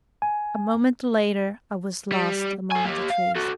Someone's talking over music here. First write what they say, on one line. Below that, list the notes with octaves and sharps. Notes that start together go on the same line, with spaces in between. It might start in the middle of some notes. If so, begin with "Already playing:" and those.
A moment later, I was lost among the trees.
G#5
G3
A4 G#5
A#3 G4
F5
F#4 A4